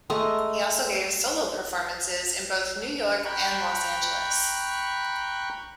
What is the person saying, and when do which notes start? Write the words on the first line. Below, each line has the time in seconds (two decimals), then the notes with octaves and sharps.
He also gave solo performances in both New York and Los Angeles.
0.10 G#3 A3 D#5 A#5
3.25 G5 A#5 B5 C#6 F#6